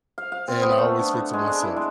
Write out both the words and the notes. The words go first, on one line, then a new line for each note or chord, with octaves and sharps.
and I always fix it myself.
F5
F5
C4
B3
A3
D4
B3
G#3
D4
E4
G#3